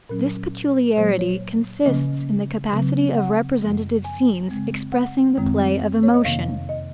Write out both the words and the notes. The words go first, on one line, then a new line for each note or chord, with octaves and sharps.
This peculiarity consists in the capacity of representative scenes expressing the play of emotion.
A#2 F#3 C#4 A#4
A#2 F#3 A#3 C5
C#5
C#3 F3 A#3 C#4 D#5
C#3 F#3 C4
F#5
F#2 F3 A#3
G#5
C#3 G#3 C4
F#5
F#2 D#3 G#3 C4
C#5
D#5
F2 C3 D#3 A#3 F5
D#5